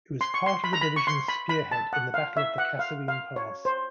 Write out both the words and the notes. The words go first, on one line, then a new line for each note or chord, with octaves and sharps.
It was part of the division's spearhead in the Battle of the Kasserine Pass.
C6
C#6
C6
B5
A#5
B5
C#6
C6
B5
B5
A5
F#5
F5
E5
F#5
F5
F5
C#5
C5